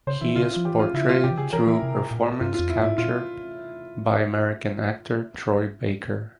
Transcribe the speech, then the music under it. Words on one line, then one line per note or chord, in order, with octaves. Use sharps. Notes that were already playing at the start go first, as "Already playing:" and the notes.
He is portrayed through performance capture by American actor Troy Baker.
C#3 C5
E3 E4
C#3 F4
F4
F3
E3 G4
F4
C#3 E4
F4
C3 G4
E3
C#3 G#4
E3 A#4
E3 E4
C3
A#2
G2 F4
F2 F4
E4
G#2
E4
A#2 F4